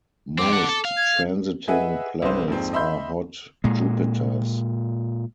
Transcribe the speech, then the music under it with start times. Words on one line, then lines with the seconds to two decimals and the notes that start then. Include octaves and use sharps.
Most transiting planets are hot Jupiters.
0.38 F2 C4 D6
0.53 A4 F#5
0.69 A4
0.85 F5
0.97 G#6
1.68 G#4 B4 D#5 E5 F#5 G#5
2.22 C2 B4 C5
2.48 A#1 F2 G#2 C4
2.73 D#5 E5 B5 C6 E6 G6
3.64 A#2 G#3